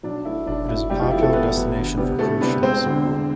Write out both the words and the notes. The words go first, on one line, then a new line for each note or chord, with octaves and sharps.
It is a popular destination for cruise ships.
B1 D4
B2 A3 E4
B1 D4
B2 A3 E4
F1 G3 G4
F3 F4
E2 B2 A3 E4
A3 A4
F1 B3 B4
E2 B2 A3
D2
C3 G3 B3
D2 A3 A4
C3 G3 B3 B4
E1 C4 C5
D2 D3
E1